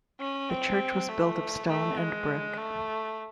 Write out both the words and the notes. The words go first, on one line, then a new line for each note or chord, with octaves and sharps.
The church was built of stone and brick.
C#4
C4
A3
A3
G#3
A3